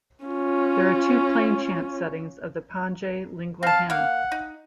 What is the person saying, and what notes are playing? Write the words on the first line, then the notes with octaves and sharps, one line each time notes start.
There are two plainchant settings of the Pange lingua hymn.
C#4 F4
C4 F5 A5
A#3 F5 F#5
D#4